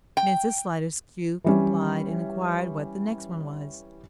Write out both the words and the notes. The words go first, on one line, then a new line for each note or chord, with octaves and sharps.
Mrs Sliderskew complied, and inquired what the next one was.
G5
E3 G3 C#4